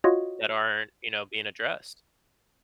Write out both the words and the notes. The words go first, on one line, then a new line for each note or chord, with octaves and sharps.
that aren't, you know, being addressed.
F4 F#4 C#5 D#5